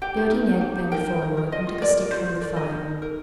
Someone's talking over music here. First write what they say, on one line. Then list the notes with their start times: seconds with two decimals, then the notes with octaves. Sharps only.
Beardy Ned bent forward and took a stick from the fire.
0.02 G4 G5
0.17 D#4
0.31 A#4
0.47 D#4
0.61 G4
0.76 D#4
0.92 A#4 G5
1.07 D#4
1.22 A#4
1.37 A#4
1.52 F4 D#5
1.67 F4
1.81 A#4 D5
1.97 A#4
2.11 F4 C5
2.26 F4
2.41 A#4 D5
2.56 A#4 D#5
2.71 D#4
2.87 D#4
3.02 A#4